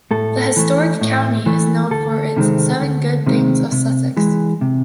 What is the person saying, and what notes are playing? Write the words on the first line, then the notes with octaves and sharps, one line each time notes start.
The historic county is known for its "seven good things of Sussex".
A2 A4
E3 A3
A2
E3 A3
D2 A4
C3 D#3 G#3 C4
D2
C3 D#3 G#3 C4
C3
E3 G#3
C3